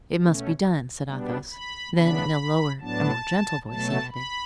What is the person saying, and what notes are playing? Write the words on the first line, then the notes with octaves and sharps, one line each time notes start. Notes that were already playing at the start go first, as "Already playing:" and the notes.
"It must be done," said Athos; then in a lower and more gentle voice, he added.
B2 A3 C#4
B2 G3 B3 D4
B5
C#3 E3 B3 D4 B5
A2 F#3 B3 D4 A5
B2 F#3 A3 A5
B5